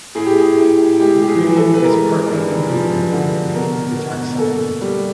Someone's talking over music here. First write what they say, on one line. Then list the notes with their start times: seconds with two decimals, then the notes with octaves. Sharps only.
The premium is partly income-dependent and paid as a tax supplement.
0.15 A2 G#4
0.26 G4
0.38 G#4
0.57 A2
1.00 G#3 G4
1.22 G4
1.28 G#4
1.42 E3
1.57 A4
1.74 B4
1.84 G#3 A#4
2.27 G2
2.69 F3
3.12 D3
3.54 B2 A#4
3.96 B2
4.38 A#3 A4
4.82 G3